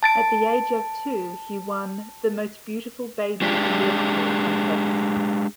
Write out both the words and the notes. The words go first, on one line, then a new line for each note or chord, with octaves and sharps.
At the age of two he won 'The Most Beautiful Baby in Liverpool' contest.
A5 A6 D7
G#3 D4 G4